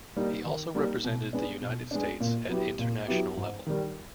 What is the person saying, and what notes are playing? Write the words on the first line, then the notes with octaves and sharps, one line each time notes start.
He also represented the United States at international level.
G3 A#3 D#4
D#3
G3 A#3 D#4
B2
G#3 B3 D4
B2
G#3 B3 D4
A#2
F#3 B3 E4 G4
A#2
F#3 B3 E4 G4
G#2
D#3 G3